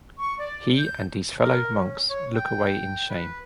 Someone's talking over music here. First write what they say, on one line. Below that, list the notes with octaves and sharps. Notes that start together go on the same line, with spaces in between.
He and his fellow monks look away in shame.
C#6
D5
G6
A#4
C#4
C#5
G5
B4